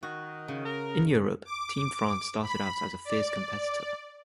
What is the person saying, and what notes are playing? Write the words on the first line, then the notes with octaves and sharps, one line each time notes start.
In Europe, team France started out as a fierce competitor.
D#3 F#4
C#3
A#4
D6
B5
D5